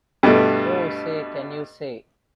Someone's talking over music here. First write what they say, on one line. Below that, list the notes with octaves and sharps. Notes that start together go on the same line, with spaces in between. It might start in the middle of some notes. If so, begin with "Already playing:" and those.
Oh Say Can You Say?
G2 B2 A3